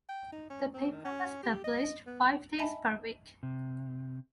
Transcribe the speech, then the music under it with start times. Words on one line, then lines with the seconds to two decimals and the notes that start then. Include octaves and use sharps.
The paper was published five days per week.
0.09 G5
0.32 D#4
0.50 C#4
0.74 C4
0.92 D#3
1.05 C#4
1.43 G4
1.64 D#5
2.07 B3
2.58 D#5 E5 G#5 A5 B5
3.43 C3